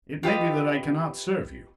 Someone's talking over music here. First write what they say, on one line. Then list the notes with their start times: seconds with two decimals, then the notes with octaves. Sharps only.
It may be that I can not serve you.
0.23 F4 G4 B4 D#5